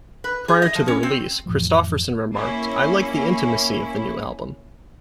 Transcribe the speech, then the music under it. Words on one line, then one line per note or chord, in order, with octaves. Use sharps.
Prior to the release, Kristofferson remarked: I like the intimacy of the new album.
B4
G#4
D#5
F3
C#4
C4
F2 A2 E3 F3
A#3 C#4 E4